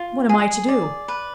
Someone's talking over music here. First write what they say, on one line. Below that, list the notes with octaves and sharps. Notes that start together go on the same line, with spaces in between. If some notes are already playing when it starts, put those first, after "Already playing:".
"What am I to do?"
Already playing: F4
G#4
D5
B4